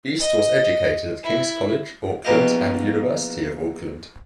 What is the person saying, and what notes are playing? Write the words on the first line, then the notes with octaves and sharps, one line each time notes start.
East was educated at King's College, Auckland and the University of Auckland.
D#5
E4
A#1 E2 B2 A#3 G4 D#5